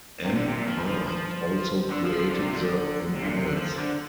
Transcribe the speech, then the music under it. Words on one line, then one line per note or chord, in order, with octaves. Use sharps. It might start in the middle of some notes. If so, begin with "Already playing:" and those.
Am-Par also created the Impulse!
C3
D3
C3
A#2
F3
F3
F3
D3
F3
F3
D3
C3
D3
C3
G2
A#2
C3
D3
F3
D3